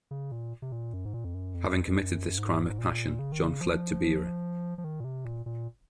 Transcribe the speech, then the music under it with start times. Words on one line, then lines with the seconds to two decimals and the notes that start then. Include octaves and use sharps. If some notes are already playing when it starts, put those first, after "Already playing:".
Having committed this crime of passion, John fled to Beira.
0.11 C#3
0.32 A#2
0.62 C3
0.72 A#2
0.94 F#2
1.05 G#2
1.14 A#2
1.25 F2
1.34 F#2
1.54 F2
1.87 F2
1.96 F#2
2.38 G#2
2.70 G#2
2.78 A#2
3.19 C#3
3.32 D#3
3.43 C#3
3.61 F3
4.78 F3
4.84 D#3
5.00 A#2
5.04 C3
5.25 A#2
5.46 A#2